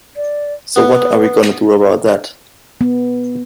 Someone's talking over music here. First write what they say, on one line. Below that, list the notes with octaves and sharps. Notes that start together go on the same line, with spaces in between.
So what are we gonna do about that?
D5
B3 B4
B3